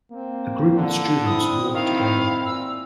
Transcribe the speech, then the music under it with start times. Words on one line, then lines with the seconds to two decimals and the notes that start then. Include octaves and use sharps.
A group of students walk together.
0.12 A#3 C4
0.76 D3
1.26 C4 E4 D#6
1.74 D#3 E4 F5
2.45 A#2 E6